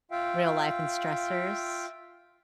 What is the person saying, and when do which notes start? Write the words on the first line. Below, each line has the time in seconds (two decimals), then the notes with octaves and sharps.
real life and stressors.
0.11 F4 E5 F5 G5